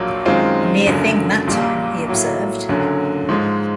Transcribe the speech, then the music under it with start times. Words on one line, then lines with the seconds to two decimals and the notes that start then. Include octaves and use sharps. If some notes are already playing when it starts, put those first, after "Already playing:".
"A near thing that time," he observed.
Already playing: A#1 A#2 F#3 A#3
0.25 F#2 D#3 G#3 C4 F4
0.86 F#1 F#2 D3
1.47 A#1 A#2 G3 A#3
2.08 A2 F#3 A#3
2.69 F#1 F#2 D3 F#3
3.29 G#2 F3 G#3